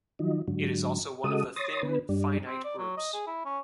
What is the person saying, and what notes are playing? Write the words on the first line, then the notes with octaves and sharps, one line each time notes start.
It is also one of the thin finite groups.
D#3 F3 F#3 D#4
G#2 D3 F#3
C#3 G#3 F#4 A4 D#5 D#6
C#5 C6 D#6 A6 A#6
D3 B3 B4
G2 G3 D4
C4
D5
F#3
D#5
G#4
E4
C#4